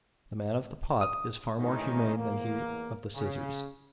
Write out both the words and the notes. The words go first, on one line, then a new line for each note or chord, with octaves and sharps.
The man of the pot is far more humane than he of the scissors.
D#6
A2 C3 D#3 E3 C#4 D#4
E2 A#3
C#3